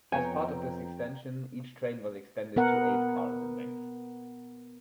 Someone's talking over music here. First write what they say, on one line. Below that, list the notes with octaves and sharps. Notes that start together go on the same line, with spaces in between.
As part of this extension, each train was extended to eight cars in length.
F2 B3 C#5 G5 G#5 A#5
B3 A#4 F#5